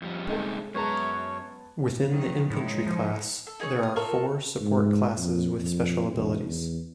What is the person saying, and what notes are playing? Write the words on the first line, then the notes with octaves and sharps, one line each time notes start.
Within the infantry class, there are four support classes with special abilities.
F2 G3
G2 C3 G#3 D#4 G#4 A4
F#2 G#3 B3 C#5 A5 A#5
D#3 F3 F#3
A2 G#3 D#4 E4
F3
A4
D#4 G#4 B4 C#5
D#6 F6
F4 A4 A#4 C#6
G#2
F2
F2
E1
E2